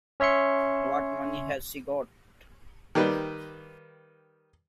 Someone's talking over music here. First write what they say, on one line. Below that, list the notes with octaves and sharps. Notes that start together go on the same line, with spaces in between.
What money has she got?
C#4 C#5 E5 C6 C#7
D#3 G3 A#3 B4